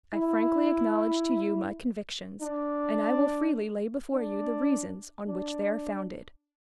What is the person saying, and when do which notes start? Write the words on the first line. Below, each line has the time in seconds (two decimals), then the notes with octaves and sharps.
I frankly acknowledge to you my convictions, and I will freely lay before you the reasons on which they are founded.
0.13 E4
2.41 D4
4.13 D4
5.28 D4